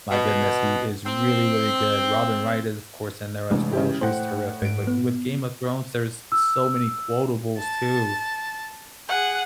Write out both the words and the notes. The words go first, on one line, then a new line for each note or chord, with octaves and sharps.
my goodness, he is really, really good, Robin Wright is of course in there as well, she's terrific, but with Game of Thrones, there is so many quotables too,
B2
C4
A1 C3 E3 G#3 D4
C#3 E4 G4
A2 C5 F#5 G5
G#2 D7
B3
E6
A5
G#4 F#5